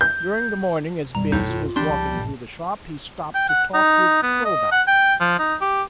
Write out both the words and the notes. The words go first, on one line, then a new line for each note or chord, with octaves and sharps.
During the morning as Bince was walking through the shop he stopped to talk with Krovac.
G6
A#1 F#2 B2 G3 A#5
D#2 A2 D#4 G6
F4
E3 G3 C4 D4 C6 D6
C#2 F3 A5
A#1 G2 A#2
G5
F#5
D#4
B3
D#5
F#5
G5
F3
D#4
G4